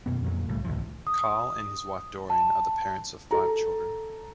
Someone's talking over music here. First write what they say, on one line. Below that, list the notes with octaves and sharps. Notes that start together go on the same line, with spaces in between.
Carl and his wife, Dorian, are the parents of five children.
F#2 B2 B3
F2 A#2 F#3
C2 A2 C#3 G3
A1 D2 A2 F3
D#6
A5
A4 A#5